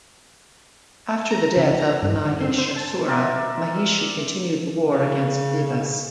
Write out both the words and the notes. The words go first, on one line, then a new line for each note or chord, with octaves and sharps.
After the death of Mahishasura, Mahishi continued the war against Devas.
A#5
C#3
A#5
G2
D3
C4
C5
A5
C4 A#4 D5 E5
C#3